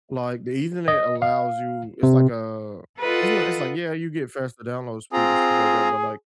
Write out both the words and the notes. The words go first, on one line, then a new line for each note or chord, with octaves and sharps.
like, the ethernet allows you It's like a it's n it's like, yeah, you get faster download speeds and stuff like that, but, like,
D#5
F5
C3
F4 A4 B4 D#5 F#5
C4 F4 G#4 A#5